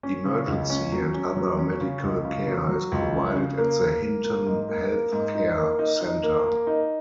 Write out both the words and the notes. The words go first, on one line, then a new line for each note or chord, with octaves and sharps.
Emergency and other medical care is provided at the Hinton Healthcare Centre.
C#4
C#3
C#2
C#4
F#3
C#4
F#3
C#4
C#3
C#2
C#3
F#3
F#3
C#2
C#4
C#3
A#3
A#3
A#3
A#3
G#2
A#3
A#3
G#2
D#4
A#3
D#4
D#4
A#3
A#3
D#4